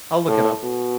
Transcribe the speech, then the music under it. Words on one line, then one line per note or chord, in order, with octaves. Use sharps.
I'll look it up.
A2
B2